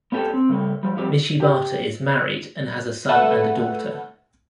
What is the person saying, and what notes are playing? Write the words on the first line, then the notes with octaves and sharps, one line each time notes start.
Michibata is married and has a son and a daughter.
B3 C#4 G4 A4
C4
C#3 G3 A3
F3 G3
F3 G3 C4 G4
G4
A3 B4 F#5 E6